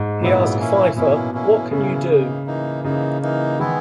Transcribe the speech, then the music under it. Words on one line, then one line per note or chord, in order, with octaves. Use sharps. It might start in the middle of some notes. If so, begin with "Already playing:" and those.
He asked Feiffer, What can you do?
Already playing: G#2
A#2 C#3 F#3 B3 E4
E3 A#3 C#4 E4
B2 E3 A#3 C#4 E4
E3 A#3 C#4 E4
C#3 E3 A#3 C#4 E4
E3 A#3 D#4
E3 A#3 D#4
C#3 E3 A#3 D#4
E3 A#3 D#4
D#3 E3 G#3 B3 E4